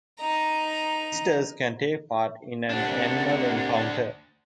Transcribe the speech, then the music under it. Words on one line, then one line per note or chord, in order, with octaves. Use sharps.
Visitors can take part in an animal encounter.
D#4 A#5
D2 C3 A#3 C4 D4 F#5